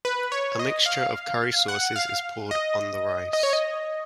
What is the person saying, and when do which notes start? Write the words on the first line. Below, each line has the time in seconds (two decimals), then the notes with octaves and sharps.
A mixture of curry sauces is poured on the rice.
0.05 B4
0.32 C#5
0.59 D#5
0.86 F5
1.68 F#5
1.96 F5
2.51 D#5
3.33 D#5
3.43 C#5
3.53 D#5